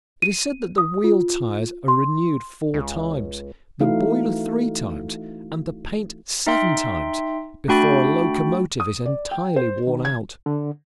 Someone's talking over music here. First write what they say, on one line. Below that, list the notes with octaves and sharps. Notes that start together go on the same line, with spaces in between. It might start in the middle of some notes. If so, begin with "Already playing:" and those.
It is said that the wheel-tires are renewed four times, the boiler three times, and the paint seven times, before a locomotive is entirely worn out.
D#7
D#6
F4
C6
C#2
E3 A3 D#4 E4 F#4 F5
D#4 E5 G5 C6
A3 D4 F#4 G5 B5 A6
D#6
D5
G5
C5
D#3
G#6
D3